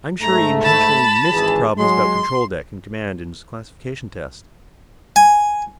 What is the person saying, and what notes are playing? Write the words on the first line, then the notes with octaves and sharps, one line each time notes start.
I'm sure he intentionally missed problems about control deck and command in his classification test.
G#2 A3 A#5
A5 B5
G#1 E3 G#4
F#3 G#3 C6
G#5